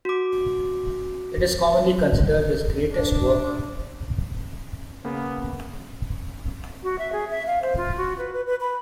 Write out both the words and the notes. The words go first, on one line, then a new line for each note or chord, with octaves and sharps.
It is commonly considered his greatest work.
F#4 D6
D4
C#3 A#3 B3
F#4
E5
G#4
E5
F5
C5
F4
F#4
B4
B4
B4
B5